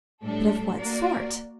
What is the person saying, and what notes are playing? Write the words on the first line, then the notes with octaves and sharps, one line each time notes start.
"But of what sort?"
A2 G3 D4 A4
A#3 F#4 A#4 D5